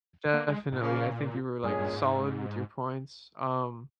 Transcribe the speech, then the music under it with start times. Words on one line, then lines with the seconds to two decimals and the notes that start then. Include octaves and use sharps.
definitely, I think you were, like, solid with your points, um,
0.34 A#3
0.48 G#3
0.72 G#2
0.76 A#2 C#3 F3 A#3 C#4
1.64 G2 A#2 G#3 C#4 G#4
1.79 G2
1.93 G#2